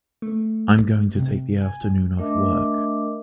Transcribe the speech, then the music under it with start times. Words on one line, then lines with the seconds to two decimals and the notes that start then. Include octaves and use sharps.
I’m going to take the afternoon off work.
0.22 A3
1.15 C3
1.62 G#5
2.18 A3 D4 A#4 D#5 E5 D6